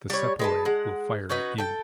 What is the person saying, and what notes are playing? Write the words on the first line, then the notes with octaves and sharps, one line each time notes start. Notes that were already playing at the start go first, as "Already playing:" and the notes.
The sepoy will fire at you!
G3 C#5
G#3 B4 A5
G#3 F#5
C#4 D#4 F#4 B4
A4 G5